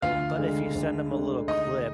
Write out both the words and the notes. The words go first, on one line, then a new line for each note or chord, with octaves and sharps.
uh, but, if you send them a little clip,
D2 F4 F5
D3 G#3
D2
D3 G#3
D2 D#4 D#5